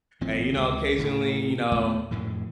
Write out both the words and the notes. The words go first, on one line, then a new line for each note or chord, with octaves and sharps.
and, you know, occasionally you know,
G#1 F3 C4
C#2 G#3
D1 A2 C#3 E3
D#2 A3 B3
F2 A2 C#3 E3